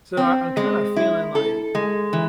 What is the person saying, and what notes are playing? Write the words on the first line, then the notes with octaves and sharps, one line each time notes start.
So, I I'm kinda feeling like,
C4
G#3
E4
A4
G#3
E3